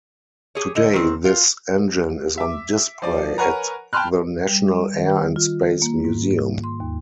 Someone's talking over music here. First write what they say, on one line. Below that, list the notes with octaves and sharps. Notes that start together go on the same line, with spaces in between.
Today this engine is on display at the National Air and Space Museum.
G4 G#4 C#5
D3 D#5
D#3 C4
F4
E5 D6
F3 D5
A#4 B4 C#5 F#5 G#5 A#5
G5 A5 B5 C6 F6 F#6
G3
D#3
F4
A#3
G#2
C6
D#2